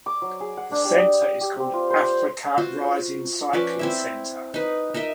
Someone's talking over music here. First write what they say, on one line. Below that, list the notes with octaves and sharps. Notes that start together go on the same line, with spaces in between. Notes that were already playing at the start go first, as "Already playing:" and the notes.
The center is called Africa Rising Cycling Center.
D6
F#3
G#4
F#5
D4
G4
D#6
F5
G4
C4
F4
C5
F4 F#4 C5
F3 C#4 B4 D5
C4 E4 E5
D#4 B4
D#4 A#4 D#5 E5